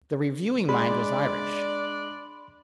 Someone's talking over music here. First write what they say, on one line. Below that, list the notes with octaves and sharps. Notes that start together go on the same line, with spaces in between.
The reviewing mind was Irish.
G#3 D4 D5 B5 C6